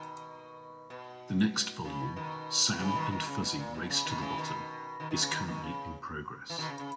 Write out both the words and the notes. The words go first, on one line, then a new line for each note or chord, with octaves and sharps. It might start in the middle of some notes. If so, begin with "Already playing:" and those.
The next volume, "Sam and Fuzzy Race to the Bottom", is currently in progress.
Already playing: B2 D#3
B2
C#3
B2
B2 D#3
C#3 E3
B2 D#3
B2 D#3
C#3
B2
A#2
B2
C#3
B2 D#3
C#3 E3
B2 D#3
B2 D#3
B2 D#3
C#3
B2 D#3
B2 D#3
C#3
E3
B2 D#3
C#3
C#3